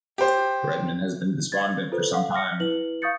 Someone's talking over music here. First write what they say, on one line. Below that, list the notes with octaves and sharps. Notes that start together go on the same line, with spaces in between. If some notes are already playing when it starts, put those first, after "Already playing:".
Redman had been despondent for some time.
G4 C5
D5 G#6 A6
F4 A4 B4 C5
F5 F#5
F6 A#6 C#7
E4 B4 F#7
F5 C#6 D#6 G6 A6 C#7